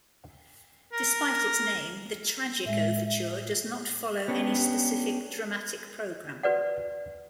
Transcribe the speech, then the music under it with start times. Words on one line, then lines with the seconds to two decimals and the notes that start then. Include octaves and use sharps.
Despite its name, the "Tragic Overture" does not follow any specific dramatic program.
0.93 A#4
2.65 A2 G#3 E5
4.28 B3 C#4 D4 G4
6.43 F#4 B4 D5 F#5